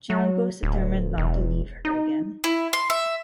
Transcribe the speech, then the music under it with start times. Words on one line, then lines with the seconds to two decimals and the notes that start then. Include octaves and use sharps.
Django is determined not to leave her again.
0.10 F#3
0.63 D1
1.18 E1
1.85 D#4
2.44 E4
2.73 C6
2.90 E5